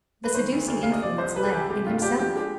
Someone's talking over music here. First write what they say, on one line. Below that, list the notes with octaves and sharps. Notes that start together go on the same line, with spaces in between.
The seducing influence lay in himself.
B4
D#3 C5
D2
D2
C3 F5
D#5
F3 D5
C2 C5
C2 B4
G#4
C3 G4
G#3 G4
G2 F4
D4 G4
F3 G4
G#3 G4